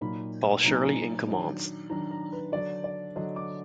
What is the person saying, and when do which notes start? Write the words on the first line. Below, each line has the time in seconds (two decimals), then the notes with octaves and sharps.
Paul Shirley in command.
0.01 A#2 F#3 A#3 D#4 B5
0.64 A#2 F#3 A#3 D#4 A#5
0.74 G#5
0.84 A#5
1.27 D#3 F#3 D4
1.90 D#3 F#3 D4 A#5
2.11 A#5
2.32 B4
2.52 D3 F#3 D4 D5
2.84 D5
3.16 D3 F#3 D4 D#5
3.36 D6